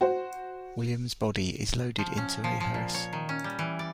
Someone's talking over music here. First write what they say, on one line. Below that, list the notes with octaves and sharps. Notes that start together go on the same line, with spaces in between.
Williams' body is loaded into a hearse.
F#4 C5
F3
C#4
F3
F3
A#2
C#5
D#3
C#4
G3
E3
D5